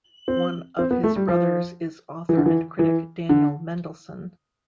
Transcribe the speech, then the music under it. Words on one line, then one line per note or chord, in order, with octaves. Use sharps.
One of his brothers is author and critic Daniel Mendelsohn.
C4
C4
B3
A3
G3
F3
E3
D3
E3
E3
D3